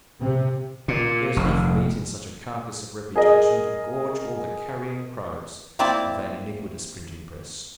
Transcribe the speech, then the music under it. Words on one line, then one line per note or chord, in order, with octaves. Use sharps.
There is enough meat in such a carcass of reputation to gorge all the carrion-crows of an iniquitous printing-press.
C3
A#2
F1
G#4 A#4 D#5
A#3 C4 E4 D5 A5